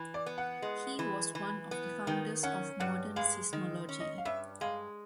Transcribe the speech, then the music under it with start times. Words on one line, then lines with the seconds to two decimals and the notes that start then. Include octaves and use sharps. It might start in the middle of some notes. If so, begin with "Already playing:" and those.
He was one of the founders of modern Seismology.
Already playing: E3
0.14 D5
0.26 B3
0.38 F#5
0.62 G#3
0.99 E3
1.35 E3
1.71 B3
2.07 D#3 G5
2.43 C#4 F#5
2.80 G2 F#5
3.16 G#3 F5
3.53 D#3
3.89 C#4
4.00 D#5
4.18 F5
4.25 G2 E5
4.61 G#3 F5